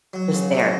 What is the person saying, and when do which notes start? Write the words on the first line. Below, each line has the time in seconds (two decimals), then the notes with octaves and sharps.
just there.
0.13 F#3
0.34 C#3
0.54 F#3